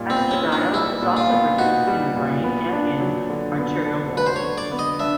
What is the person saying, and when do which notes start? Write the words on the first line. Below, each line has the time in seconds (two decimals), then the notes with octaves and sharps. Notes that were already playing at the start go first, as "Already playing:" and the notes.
Estradiol is also produced in the brain and in arterial walls.
Already playing: A#2 G3 D#4
0.10 C4
0.16 B3
0.31 C#4
0.45 D#4
0.52 D4
0.73 G3 E4
1.02 A#2
1.17 F4
1.31 B3
1.58 D#4 F#4
1.87 G3
2.16 A#2
2.44 B3
2.73 D4
3.01 F#3
3.30 D3
3.58 B3
3.86 D4
4.15 F#3 B4
4.26 C5
4.36 C#5
4.43 D3
4.58 D5
4.71 B3
4.79 D#5
5.00 D4 E5